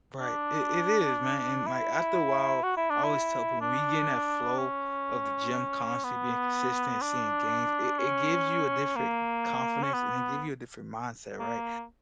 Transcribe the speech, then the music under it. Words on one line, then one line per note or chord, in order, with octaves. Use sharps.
Right. It it is, man. And, like, after a while, I always tell people, when we get in that flow of the gym constantly being consistent, seeing gains, it it gives you a different confidence, and it give you a different mindset, right?
D4
E4
F#4
E4
D4
E4
D4
C#4
B3
D4
C#4
A#3
C#4
B3
A#3